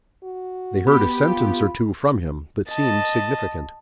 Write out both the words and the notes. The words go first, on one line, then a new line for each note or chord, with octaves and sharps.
They heard a sentence or two from him that seemed significant.
F#4
B3 G4 B5
F4
D#5 A5